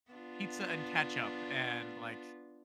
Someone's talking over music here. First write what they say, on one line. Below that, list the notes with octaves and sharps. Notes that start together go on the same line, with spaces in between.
pizza and ketchup and, like
B3 D4 F4